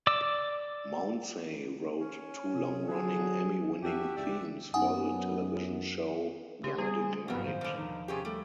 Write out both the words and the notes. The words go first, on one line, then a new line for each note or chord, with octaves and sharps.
Mounsey wrote two long-running Emmy-winning themes for the television show "Guiding Light".
D5 D6 E6
C#4
C3 G#4
D3 F#3 G#4
F2 D4 F#4 G4 E5
C#2 G#2 D5 E5
F#2 B3 D#4 F#5 G#5 D#6
C#3 G4
G3 G#4
G#1 G2 B2 F#3 B3 F5
A2 D#3 G3 C5
B2 D3
D#2 F3 A3 D#4
C3 C#4 G4 G#4
G3 A3